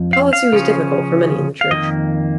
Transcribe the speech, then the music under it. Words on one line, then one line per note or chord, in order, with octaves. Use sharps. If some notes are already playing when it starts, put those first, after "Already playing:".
The policy was difficult for many in the church.
Already playing: F2 F3
F5
F5
C#3 F3 C#4
F5
F2 D#3 A#3 D#5